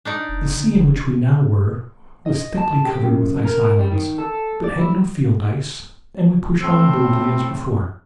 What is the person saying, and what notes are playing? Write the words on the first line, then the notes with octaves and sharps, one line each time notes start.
The sea in which we now were was thickly covered with ice islands, but had no field ice, and we pushed on boldly as before.
D4 D#4 D5
F1
D3
F1
D#5
A5
G4
F#2
A#4
G3
D#3
A4
D5
E4
A2 A3 C4